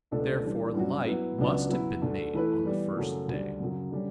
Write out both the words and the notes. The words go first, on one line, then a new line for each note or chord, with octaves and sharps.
Therefore light must have been made on the first day.
C#2 B2 A3 D4 A4
E3 G3 D4
G2 F#3 C#4 F#4
F#3 B3 E4
C#2 C#3 F#3 B3 D4
F#3 B3 E4 B4
D2 D3 A3
E3 A3 E4 B4
E3 G3 B3
F#2 C#3 F#3 A3 C#4
D2 D3 G3
F#2 C#3 F#3
D3 G3 C#4